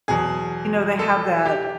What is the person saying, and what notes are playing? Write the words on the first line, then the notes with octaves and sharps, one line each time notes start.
you know, they have that, uh,
E2 B2 F#3 G#4
A4
G4